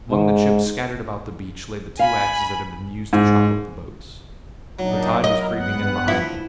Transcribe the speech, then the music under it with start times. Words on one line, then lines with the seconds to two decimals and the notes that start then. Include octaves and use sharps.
Among the chips scattered about the beach lay the two axes that had been used to chop up the boats. The tide was creeping in behind me.
0.11 G#2
1.99 F5 G#5 B5
3.13 G#2
4.79 A#2 F#3 D4 D#4
5.24 E4 A#4 D#5
5.53 G2 B3 F#5
6.08 F3 E4